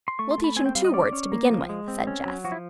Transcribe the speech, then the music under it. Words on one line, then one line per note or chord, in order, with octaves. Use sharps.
"We'll teach him two words to begin with," said Jess.
C6
A3 C#6
C6
A3
B5
C4 G#5
G5
G3 F5
D#5
C#4 D5
C#4
A#3
F3
G#3
C4
C#4
F#3
F3 F#4
E4